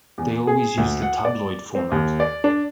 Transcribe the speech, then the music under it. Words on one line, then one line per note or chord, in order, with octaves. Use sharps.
They always use the tabloid format.
E2
G#4
D2
F#5
D5
C4
D#2
D5
D4